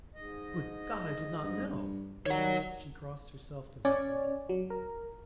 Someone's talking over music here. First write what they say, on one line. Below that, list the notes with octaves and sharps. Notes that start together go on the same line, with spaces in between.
"Good God, I did not know!" She crossed herself devoutly.
G#2 D#5
G2
D#3 F#3 G3 C#5 F#5
C#4 C#5 D5
F#3
A#4